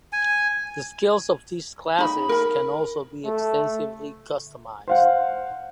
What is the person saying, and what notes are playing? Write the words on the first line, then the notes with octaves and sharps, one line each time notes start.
The skills of these classes can also be extensively customised.
G#5
D#4 B5
A#4 B5
A3
C5 F5 F#5